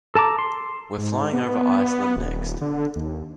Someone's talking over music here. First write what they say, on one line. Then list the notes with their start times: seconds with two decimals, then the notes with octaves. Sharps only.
We're flying over Iceland next.
0.15 A4 A5 A#5 D6
0.39 C6
0.98 G#2
1.33 B3
1.55 B3
2.16 D#1
2.61 D3
2.96 D#2